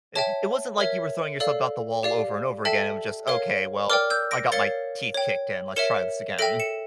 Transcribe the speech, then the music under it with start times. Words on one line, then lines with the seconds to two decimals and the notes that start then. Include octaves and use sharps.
I It wasn't like you were throwing yourself out the wall over and over again. It was just, "Okay well, I got my teeth kicked in let's try this again."
0.15 C#5 E5 G5 A5
0.78 A#4 C#5 E5
1.40 A4 D5 F5
2.03 G4 D5 F5
2.65 A4 E5 G5 A5
3.28 A#4 C#5 F5
3.90 A#4 D5 G5 D6 F6
4.10 E6 G6
4.31 A#6 D7
4.52 A#4 C#5 F5 A6 C#7
5.14 C#5 G5
5.76 A#4 C#5 E5 C#7 E7
6.39 A4 E5 G5 A#6 D7
6.60 C#7 E7